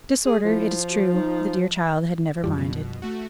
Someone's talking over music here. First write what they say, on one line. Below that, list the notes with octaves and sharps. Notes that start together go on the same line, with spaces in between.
Disorder, it is true, the dear child had never minded.
G#4
F3 E4
F#4
D#4
F#2 F3 G3
B2
A3 F#4